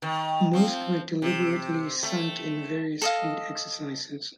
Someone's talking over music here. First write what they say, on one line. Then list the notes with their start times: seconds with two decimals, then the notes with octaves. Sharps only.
Most were deliberately sunk in various fleet exercises.
0.02 D#3
0.53 F3 C4
1.22 C3
2.03 A3
3.02 A4 D#5 F5